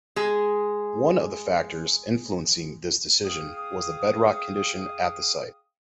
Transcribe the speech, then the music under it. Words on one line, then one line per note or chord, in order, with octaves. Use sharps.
One of the factors influencing this decision was the bedrock condition at the site.
G#3 G#4
G#4 F5 G5 D#6